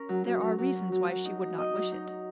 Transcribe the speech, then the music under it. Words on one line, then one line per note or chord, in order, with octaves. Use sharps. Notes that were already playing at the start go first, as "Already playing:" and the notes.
"There are reasons why she would not wish it."
Already playing: C#4 A#4
F#3
F#3
F#3
F#3
C#4
F#3
F#3
D#4
D#4
D#4 D#5
F#3
D#4
D#4